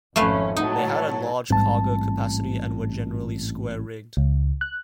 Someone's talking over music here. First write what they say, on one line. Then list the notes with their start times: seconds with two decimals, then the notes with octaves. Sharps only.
They had a large cargo capacity, and were generally square rigged.
0.16 G#1 F2 A3 C#4 B4 F5
0.56 A2 F#3 D#4 A5
1.50 A1 G#2 G3 C4 A5
4.17 C#2
4.61 F#6